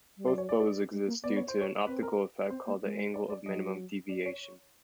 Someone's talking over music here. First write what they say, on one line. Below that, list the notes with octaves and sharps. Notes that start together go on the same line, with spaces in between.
Both bows exist due to an optical effect called the angle of minimum deviation.
G3
F#3 D5
C#5
D5
D5
G#3
A#3
B3 D5
C#5
C5
C#5
C4 B4
A#4
C4 C5
A#3
G#3
D5
D5
F#3 D#5
D5
C#5